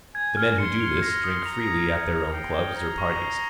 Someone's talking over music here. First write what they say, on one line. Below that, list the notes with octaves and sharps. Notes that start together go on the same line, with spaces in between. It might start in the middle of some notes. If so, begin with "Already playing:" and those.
The men who do this, drink freely at their own clubs or parties.
G#5 G#6
F6
C6 C#7
F7
C6 A#6
D#6
A#5 F7
D#6
A#5 G#6
D#6
G5 C7
G7
A#5 G#6
C#6
C7